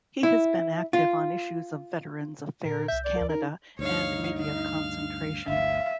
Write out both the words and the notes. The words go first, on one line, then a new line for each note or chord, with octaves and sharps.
He has been active on issues of Veterans Affairs Canada and media concentration.
E4
F4
A#2 A#4
C2 E5 G6
D5
D2 A#4
D#4 A#4
D2 G2 D#4 C#5 F5
F5
G1 D2 E5 F5